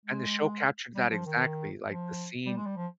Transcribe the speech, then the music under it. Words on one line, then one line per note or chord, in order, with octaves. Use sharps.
and the show captured that exactly. Like, the scene,
G#3
G3
F3
D#3
F3
G3
G#3
G3
F3